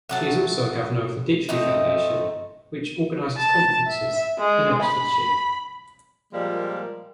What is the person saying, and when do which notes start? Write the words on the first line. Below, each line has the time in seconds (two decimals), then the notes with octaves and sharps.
She is also a governor of the Ditchley Foundation, which organises conferences in Oxfordshire.
0.09 A2 F#3 A5
1.49 A3 C4 D#4 D#5
3.37 A5
3.88 E5
4.39 G#3
4.82 B5
6.33 A#2 F3 G3 G#3 A#3